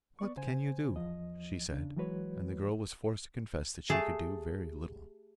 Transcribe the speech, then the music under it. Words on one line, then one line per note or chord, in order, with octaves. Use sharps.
'What can you do?' she said; and the girl was forced to confess that she could do very little.
B3 D5 C#6
C#3 C5 G#5
E2 F3 D#5
E2 C#3 D4
E3 F#3 G#3 F#4 B4 C#5
A3 G4 G#4 A5